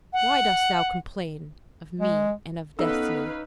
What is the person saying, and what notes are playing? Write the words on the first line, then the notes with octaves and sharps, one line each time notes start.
Why dost thou complain of me and of destiny?
F#5
G#3
B3 C#4 D#4 A4 B4 F5 E6